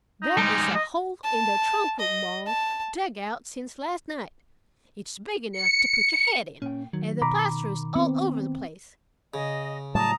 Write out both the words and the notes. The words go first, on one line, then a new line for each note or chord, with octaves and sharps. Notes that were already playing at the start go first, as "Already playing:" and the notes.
"There is a hole in the trunk-room wall, dug out since last night. It's big enough to put your head in, and the plaster's all over the place."
D#4
G3 G#3
D#5
A5
D#5
A5
C#7
A#2 C#4 G5
D#3 F#3
B2 A#5 B5 D6
B3 C4
C#3 D#5
A2 F#3 G3 A5 A#5 D#6